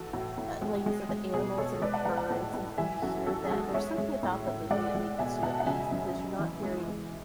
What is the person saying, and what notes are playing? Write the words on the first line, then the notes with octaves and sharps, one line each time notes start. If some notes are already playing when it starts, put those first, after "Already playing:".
eh, like you said, the animals, and the birds, and and you hear that, there's something about that that immediately puts you at ease because you're not hearing
Already playing: E3 F#4 A4
A2 F#4
A2
G#3
G#3 G#4
G#3
B2 G#4
B2 A4 C#5
G#3 B4 D5
F#5 A5
G#3 F#5 A5
F#5 A5
A2
A2
E3 E5 G#5
F#2 F#4 A4
F#2 F#4 A4
G#4
G#3 F#4 A4
G#3 C#5 E5
G#3
A2
A2
G#3 D5 F#5
G#3
B2 E5 G#5
B2 F#5 A5
F#5
C#3 E5 G#5
F#2
F#2
E3
G#3
G#3